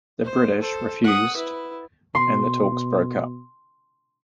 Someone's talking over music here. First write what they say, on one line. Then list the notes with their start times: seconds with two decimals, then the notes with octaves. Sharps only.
The British refused and the talks broke up.
0.24 C5
0.61 A4 C5
1.04 F#5 D#6
1.36 E4 B4
2.15 B2 C6